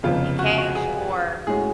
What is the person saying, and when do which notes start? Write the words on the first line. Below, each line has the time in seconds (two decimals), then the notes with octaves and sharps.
in cash or
0.03 F1 F2 C#3 F3 B3 F4
0.39 F#4
0.58 F#4
0.75 G#4
1.47 A2 G#3 C#4 F#4 G#4